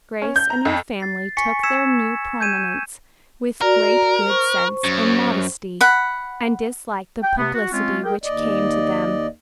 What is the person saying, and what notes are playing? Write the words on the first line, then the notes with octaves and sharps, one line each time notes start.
Grace and her family took their new prominence with great good sense and modesty, and disliked the publicity which came to them.
C#4
G6
A#5
F2
A6 C7
G#5 C#6 B6 C#7
E6 G#6 B6 C#7 E7
G6 G#6 D#7 E7
F#4 A#4 D5 A#5
C5 C#6
F#2
F#5 B5
G5
C3 A3 B3
F#4
G#3 C4 C#4 F4
G#4 A#4 G5
D#2 D5 D#5